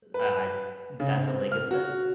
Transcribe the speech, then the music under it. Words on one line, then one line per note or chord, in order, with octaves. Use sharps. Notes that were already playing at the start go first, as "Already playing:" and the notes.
I I that's a LEGO set?
B4
C#3
C4
F6
F#4